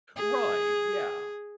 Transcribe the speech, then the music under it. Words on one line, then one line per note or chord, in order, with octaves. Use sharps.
Right, yeah.
G#4